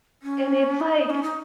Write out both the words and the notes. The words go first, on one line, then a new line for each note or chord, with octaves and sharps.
and it's like,
C#4
D#4
C#4
D#4